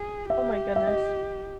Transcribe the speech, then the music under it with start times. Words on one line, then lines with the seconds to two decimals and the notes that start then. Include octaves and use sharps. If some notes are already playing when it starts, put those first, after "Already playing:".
Oh, my goodness.
Already playing: G#4
0.30 G4 E5
0.76 E5
0.87 D#5